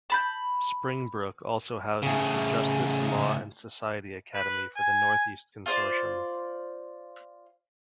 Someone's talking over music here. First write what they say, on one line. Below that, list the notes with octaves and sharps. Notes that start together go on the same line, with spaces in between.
Springbrook also houses the Justice, Law and Society Academy for the Northeast Consortium.
A5 B5 G6
A2 C#3
B4
G#5
F4 C5 D5